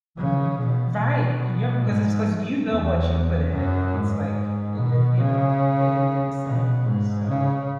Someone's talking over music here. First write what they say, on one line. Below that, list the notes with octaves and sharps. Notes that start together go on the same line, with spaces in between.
w Mhm, right, you're 'cause it's 'cause you know what you put in and y it's like, they didn't you know, they didn't do the same, so
C#3
B2
B2
G#2
E2
F#2
G#2
B2
C#3
B2
G#2
C#3